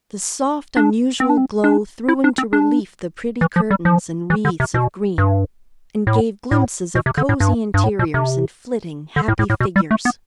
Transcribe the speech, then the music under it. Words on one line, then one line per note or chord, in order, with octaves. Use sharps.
The soft, unusual glow threw into relief the pretty curtains and wreaths of green, and gave glimpses of cosy interiors and flitting happy figures.
D4
C4
D4
C4
D4
E4
D4
C4
D4
E3
F3
G3
F3
E3
D3
C3
B2
G2
A2
A2
B2
C3
D3
A2
G2
G2
A2
B2
C3
D3
A2
A2
A2
B2
G3
A3
B3